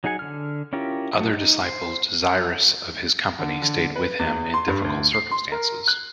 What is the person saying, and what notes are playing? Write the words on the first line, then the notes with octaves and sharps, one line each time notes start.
Other disciples desirous of his company stayed with him in difficult circumstances.
F#3 D#4 G#4 F#5 G#5
D3 F6
C#4 E4 F4 G4 A#4
F#3 A3
D#4
C5
D3
D3
B4
E2
C6
G2
D2
C7
C6
A#4
F#6